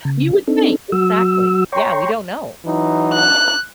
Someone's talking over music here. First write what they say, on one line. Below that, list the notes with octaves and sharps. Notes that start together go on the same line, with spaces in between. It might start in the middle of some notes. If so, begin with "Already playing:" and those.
You would think. Exactly. Yeah. We don't know.
C#3
C4 D4 D#4 A4
F#3 F#4 E6
C#5 G5 A#5 C6 C#6
E3 F#3 D#4
F#6